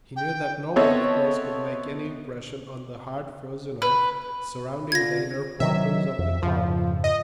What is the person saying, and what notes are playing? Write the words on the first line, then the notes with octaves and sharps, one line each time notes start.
He knew that no wolf-claws could make any impression on the hard-frozen earth surrounding the inner portals of the colony.
G5
B3 C4 A4 C#5 D#5 E5
B4
D3 F4 G#6 A#6
C3 D#3 F#3 E5
F2
F2 G#2 C#3 F3
D#5